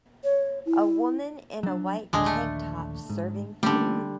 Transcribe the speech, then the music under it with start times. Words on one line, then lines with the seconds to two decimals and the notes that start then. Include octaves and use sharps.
A woman in a white tank top serving food.
0.24 C#5
0.66 E4
1.63 F#3 D4
2.13 A#1 D#2 D3 G#3
2.26 A3
3.09 G#2
3.63 D3 G3 A3 A#3 C#4